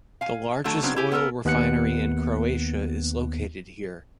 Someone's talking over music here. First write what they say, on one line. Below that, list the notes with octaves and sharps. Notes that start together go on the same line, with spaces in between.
The largest oil refinery in Croatia is located here.
F5 G#5
D3 F#3 A3
C#3 F#3 B3 C4 D4
E4 G4 G#5
B3 A4 A#4
D#2 B3 F#6 C#7